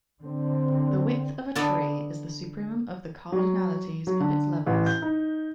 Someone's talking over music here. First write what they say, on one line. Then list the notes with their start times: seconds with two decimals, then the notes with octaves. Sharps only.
The width of a tree is the supremum of the cardinalities of its levels.
0.20 D3 C4
1.55 D3 B3 A4 D5 D#5
3.32 F#3
4.07 F#3
4.20 D3
4.67 A1
4.86 G6
5.02 D#4